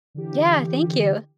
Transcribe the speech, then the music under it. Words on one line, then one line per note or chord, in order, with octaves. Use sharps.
Yeah, thank you.
D3 E3 G4